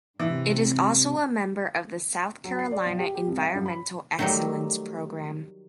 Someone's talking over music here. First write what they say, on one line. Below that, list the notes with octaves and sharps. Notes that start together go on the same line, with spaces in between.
It is also a member of the South Carolina Environmental Excellence Program.
G#2 C3 E3
F#3
C7
D5
B1
G4
G4
C2
E5
F#2
B5
D#3 F#3 G3 A3